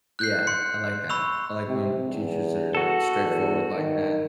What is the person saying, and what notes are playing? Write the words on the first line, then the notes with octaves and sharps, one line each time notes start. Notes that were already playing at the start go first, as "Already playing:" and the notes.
Yeah, I like that, I like when teachers are straightforward like that,
F#6 G6 C7
C6 C#7
B5 C#6 E6 F7
C3
E2
F#4 A4
E2
D#3